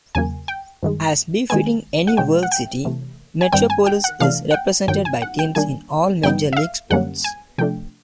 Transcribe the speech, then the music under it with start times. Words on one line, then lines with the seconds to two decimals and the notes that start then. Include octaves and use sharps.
As befitting any world city, Metropolis is represented by teams in all major-league sports.
0.15 E2 C#3 F#3 A#3 G#5
0.48 G5
0.83 G2 D#3 G#3
1.50 D#3 G#3 B3 G#5
2.07 F#5
2.17 B2 G#3 C#4 G5
2.43 F#5
2.52 G5
2.85 C3 E3 A3
3.41 G#5
3.52 G2 D#3 G3 C4 G5
3.70 G#5
3.86 G5
4.04 F#5
4.20 C3 E3 A3 D4 F5
4.51 F#5
4.54 G5
4.88 G2 D#3 F#3 G5
5.05 G#5
5.22 F#5
5.39 G5
5.55 D#3 G3 A#3 D4 G#5
6.23 G2 E3 G3 B3 D#4 G5
6.53 E5
6.57 F5
6.91 F#2 D3 G3 A#3 C#4 F#5
7.24 G#5
7.58 C3 F3 A3 D4 G5